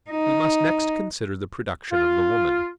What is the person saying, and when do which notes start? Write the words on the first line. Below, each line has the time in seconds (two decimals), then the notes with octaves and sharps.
We must next consider the production of the woman.
0.11 D#4
1.92 F4